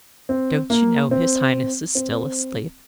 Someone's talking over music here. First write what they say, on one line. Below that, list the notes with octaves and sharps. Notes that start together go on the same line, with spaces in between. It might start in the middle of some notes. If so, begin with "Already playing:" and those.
Don't you know his highness is still asleep?'
C4
A#3
C4
C4